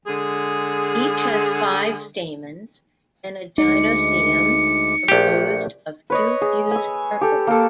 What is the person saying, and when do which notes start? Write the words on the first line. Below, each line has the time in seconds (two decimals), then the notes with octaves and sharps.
Each has five stamens and a gynoecium composed of two fused carpels.
0.07 D3 G#3 G#4
3.58 D2 G#3 D#4 D6 C#7
5.08 A#1 A3 G4
6.10 B4 C#5 D#5
6.41 G#4
6.71 G#5 E6
7.21 G4 A4
7.47 A#3 A4